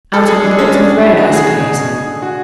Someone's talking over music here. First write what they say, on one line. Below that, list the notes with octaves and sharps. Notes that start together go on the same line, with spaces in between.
"Out on the Portsmouth Road, I suppose?"
G#3 A4
G#3 G#4
G#3 D4
G#3 C#4
G#3 D4
A2
A2 E4
G#3 F#4
A3 G#4
B2
B2
B2
D3
D3
D3 F#4